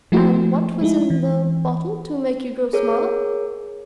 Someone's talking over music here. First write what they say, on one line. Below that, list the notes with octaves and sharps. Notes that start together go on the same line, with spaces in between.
"And what was in the bottle to make you grow smaller?"
F3 A3 A#3 E4 F#4 G#4
G#3 D#4 E4
E3
G#4 A#4 C#5